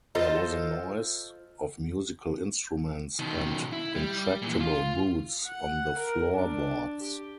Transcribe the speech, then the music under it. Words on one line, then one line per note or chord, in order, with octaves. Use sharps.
There was a noise of musical instruments and intractable boots on the floorboards.
F4 A4 C5 D#5
B2 D#3
E4
G3
A#2 E3
F4
F#5
A#4
D4
G4